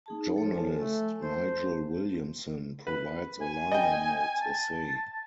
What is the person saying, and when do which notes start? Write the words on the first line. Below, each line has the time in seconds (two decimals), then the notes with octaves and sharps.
Journalist Nigel Williamson provides a liner notes essay.
0.06 D#4 G#4 A5
0.36 F3 A4 C#5
0.54 A4 G#5 A5
0.80 A3
1.22 C5 A5
2.87 B4
3.41 G#5
3.72 D#5 G5
4.41 A5